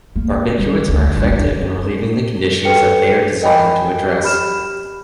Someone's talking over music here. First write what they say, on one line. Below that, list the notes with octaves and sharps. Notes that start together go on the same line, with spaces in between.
Barbiturates are effective in relieving the conditions that they are designed to address.
A#3
G3
D2
G2
E4
A4 B4 G5 C#7
A#4 D#5 G5 G#5 B5
G4 B5 F6 E7